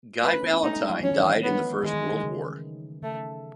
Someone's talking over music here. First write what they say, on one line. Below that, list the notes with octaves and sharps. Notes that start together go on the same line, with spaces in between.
Guy Valentine died in the First World War.
A3 B4
C#4
B3
C#4
A3 D#4
G#3
F#3
E3 C#4
D#3
E3
B3
D#3 G#3
D#3
D#3
C#3
C#3 A3